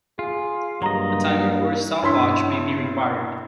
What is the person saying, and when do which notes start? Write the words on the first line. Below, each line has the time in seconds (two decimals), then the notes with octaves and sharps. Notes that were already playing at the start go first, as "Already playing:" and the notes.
A timer or a stopwatch may be required.
0.19 F4 G#4
0.82 G2 F#3 A#3 G4 D#5 A#5 C6
2.02 G2 C#4 E4 C#5 C6 B6